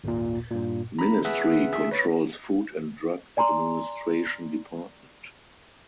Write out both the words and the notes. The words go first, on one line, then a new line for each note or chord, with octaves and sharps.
Ministry controls Food and Drug Administration Department.
G#1 D#2 A#2
G2 A#2
A#5 B5
G#4 B4 E5 F#5 F#6
G#4 E5
B4 C#5 B5 A6
D5 G#5 A#5 C6